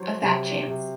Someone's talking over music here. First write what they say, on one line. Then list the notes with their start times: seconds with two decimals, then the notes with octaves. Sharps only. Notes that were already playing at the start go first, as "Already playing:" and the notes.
A fat chance!
Already playing: F#3 C5
0.22 C3
0.67 C3